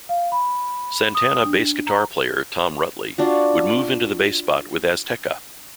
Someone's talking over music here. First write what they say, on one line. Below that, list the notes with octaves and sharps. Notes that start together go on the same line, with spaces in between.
Santana bass guitar player Tom Rutley would move into the bass spot with Azteca.
F5
B5
D#6
D4
A#5
D4 F4 F#4